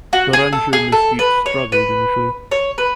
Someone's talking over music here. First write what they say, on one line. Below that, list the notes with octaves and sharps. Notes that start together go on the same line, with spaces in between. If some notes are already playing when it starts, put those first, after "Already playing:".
The Rancho Mesquite struggled initially.
F#4
G#4
A4
G#4
A4
B4
C#5
B4
C#5
B4